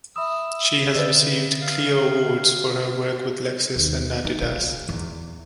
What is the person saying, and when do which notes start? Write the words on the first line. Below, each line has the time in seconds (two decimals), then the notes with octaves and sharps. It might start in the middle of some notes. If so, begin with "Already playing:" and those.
She has received Clio awards for her work with Lexus and Adidas.
0.16 E5 B5 D#6 E6
0.95 D3 B4 D5 D#5
1.61 F5
3.76 D#2
4.25 D#3
4.42 C#3
4.89 E2